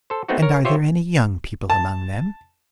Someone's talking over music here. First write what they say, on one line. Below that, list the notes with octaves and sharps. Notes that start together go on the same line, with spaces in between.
"And are there any young people among them?"
A4 C5
A3 B3 C4 D#4 F#4
A#4 C#5
F4 G4 C5 C#5 E5
A5